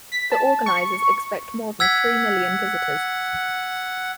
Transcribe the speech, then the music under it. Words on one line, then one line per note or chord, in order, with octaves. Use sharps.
The organizers expect more than three million visitors.
B6
A5
C#6
F#5 E6 G#6 B6